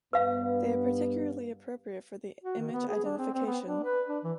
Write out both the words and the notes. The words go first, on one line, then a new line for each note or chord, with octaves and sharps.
They are particularly appropriate for the image identification.
G2 B3 B4 F5
F#4
D#3
B3
G#4
D4
C4
C4
B3
D4
B4
D4
E3